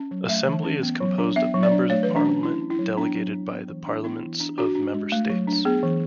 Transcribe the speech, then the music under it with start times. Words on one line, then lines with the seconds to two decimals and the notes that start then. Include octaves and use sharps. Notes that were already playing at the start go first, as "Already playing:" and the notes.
Assembly is composed of members of parliament, delegated by the parliaments of member states.
Already playing: C#4
0.11 F#3
0.29 A3 E5
0.47 E3
0.64 C#4
0.83 B3
1.00 F#3
1.18 D4
1.36 B3 E5
1.54 F#3
1.63 D5
1.72 D4
1.90 A3 C#5
2.03 E3 B4
2.16 D4
2.26 C#4
2.43 C#4 E4
2.61 C#4
2.70 E4
2.79 F#3
2.97 B3 D4
3.15 F#3
3.33 D4
3.50 B3
3.68 E3
3.86 D4
4.04 B3 E4
4.22 E3
4.40 D4
4.58 D4 F#4
4.75 D4
4.94 G#3
5.12 A3
5.30 F#3
5.47 D4
5.65 B3 G#4
5.83 E3